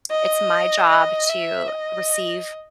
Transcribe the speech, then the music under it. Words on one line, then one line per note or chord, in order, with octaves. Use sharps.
it's my job to receive
D#5
D#5
E5
D#5